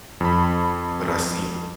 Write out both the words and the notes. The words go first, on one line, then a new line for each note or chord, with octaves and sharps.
But I see
F2 B5